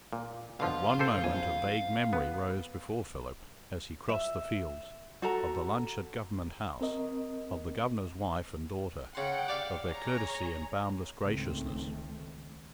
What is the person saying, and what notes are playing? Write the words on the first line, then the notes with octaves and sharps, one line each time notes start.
At one moment a vague memory rose before Philip, as he crossed the fields, of the lunch at Government House, of the Governor's wife and daughter, of their courtesy and boundless graciousness.
A#2
B2 D3 F3 F5 C6
G4 A4 C5
A#1 F2 G#5
B3
E5
F#4 A4 A#5
C4 A#4 D#5
C#3 F#5 G5 C6
G4 D5 F5
G#4 C#5 A#5
C#2 G#2 D#3 A3 C4